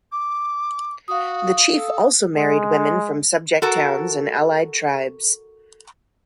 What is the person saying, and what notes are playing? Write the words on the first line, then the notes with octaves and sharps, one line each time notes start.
The chief also married women from subject towns and allied tribes.
D6
F#4 F5 D#6
A4
G#3
F#4 A4 A#4